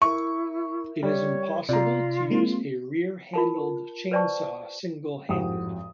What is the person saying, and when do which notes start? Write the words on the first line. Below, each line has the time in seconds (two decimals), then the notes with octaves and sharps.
It is impossible to use a rear-handled chainsaw single-handed.
0.02 E4 A#4 E5 C#6
1.03 G3 C#5
1.69 C3 F4 D5 A#5
2.30 G#3 A#3 C4
3.34 F4 A#4 A5
4.11 B4 C5 D5 G5 A5 C#6
5.29 G#1 F2 A2 F#4 G4 D#6